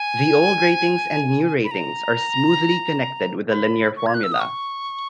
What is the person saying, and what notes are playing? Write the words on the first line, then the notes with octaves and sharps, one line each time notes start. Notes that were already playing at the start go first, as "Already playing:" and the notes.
The old ratings and new ratings are smoothly connected with a linear formula.
Already playing: G#5
B5
A#5
B5
C#6
G#6
F#6
E6
D#6
C#6